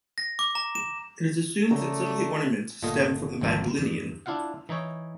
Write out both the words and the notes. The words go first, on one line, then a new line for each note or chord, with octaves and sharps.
It is assumed that some of the ornaments stem from the Magdalenian.
A#6
D6
A#5
E7
C#3 A3 D5 A#5
G1 A#2 A3 F4 D#5
G#1 D2 F3 C4 A#4 A5
E2 G2
D4 E4 F4 F5 F#5
E3 D#4 E4 C#5